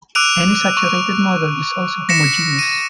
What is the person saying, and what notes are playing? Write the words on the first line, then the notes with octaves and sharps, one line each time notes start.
Any saturated model is also homogeneous.
D6 E6 F#6 D7 D#7 F7
C#6
A#6 B6 C#7 E7
D#7